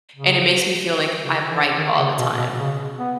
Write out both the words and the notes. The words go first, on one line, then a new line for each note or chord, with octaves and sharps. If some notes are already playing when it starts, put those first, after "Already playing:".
and it makes me feel like I'm right all the time,
C#3
D#3
C#3
E3
D#3
C#3
B2
B2
C#3
B3